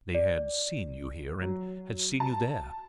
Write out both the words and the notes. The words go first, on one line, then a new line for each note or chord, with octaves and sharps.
They had seen you here and had seen you there.
D5
F#3
A5